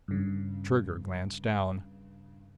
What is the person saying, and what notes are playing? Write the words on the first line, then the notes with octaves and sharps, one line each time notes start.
Trigger glanced down.
G2 C#3